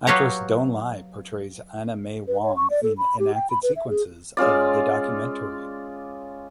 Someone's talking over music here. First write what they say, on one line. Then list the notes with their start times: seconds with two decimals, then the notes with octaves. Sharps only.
Actress Doan Ly portrays Anna May Wong in enacted sequences of the documentary.
0.07 F#3 F4 G4 B4 C#5 A#5
2.28 B4
2.43 C#5
2.57 C#6
2.70 D5
2.83 A4
2.98 B5
3.19 G4
3.34 G5
3.50 B5
3.63 B4
3.76 E5
3.89 G#4
4.37 G#3 C#4 F4 D5